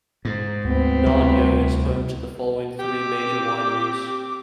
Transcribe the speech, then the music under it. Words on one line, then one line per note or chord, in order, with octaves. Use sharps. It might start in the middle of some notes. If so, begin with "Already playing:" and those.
Nanyo is home to the following three major wineries.
G#2
D2 B3 C4
C2
C4 G4 D6